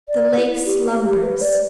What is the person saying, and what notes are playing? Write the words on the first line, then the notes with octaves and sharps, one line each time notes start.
The lake slumbers.
D5
E4
G4
G4
B4
D5